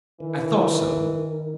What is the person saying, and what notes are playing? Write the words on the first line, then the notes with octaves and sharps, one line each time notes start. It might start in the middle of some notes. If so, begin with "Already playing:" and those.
I thought so.
D#3 E3